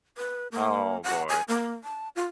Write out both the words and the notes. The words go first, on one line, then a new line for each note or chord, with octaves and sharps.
Oh, boy.
B4
A#3
F#5
G#5
A#3
A5
F4